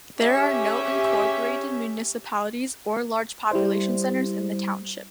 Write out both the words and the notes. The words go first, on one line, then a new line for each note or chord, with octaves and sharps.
There are no incorporated municipalities or large population centers in the township.
C#4 G4 G#4 E5
G3 E4 C5